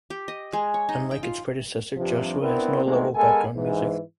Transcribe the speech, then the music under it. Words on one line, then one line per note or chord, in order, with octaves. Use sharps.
Unlike its predecessor, "Joshua" has no level background music.
G4
D#5
G#3
C#5
D#4
G5
F4
G2 C3 F3
B3 C4 D4 E4 A#4
A#2 D#3 G#3 A3 B3 C4
G#3 B3 A4 A#4 G#5
G#2 E3